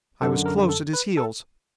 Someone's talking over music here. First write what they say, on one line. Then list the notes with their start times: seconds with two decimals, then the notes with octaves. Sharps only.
I was close at his heels.
0.22 F#2 D3 A4
0.46 A#4
0.69 A4
0.93 B4
1.17 A4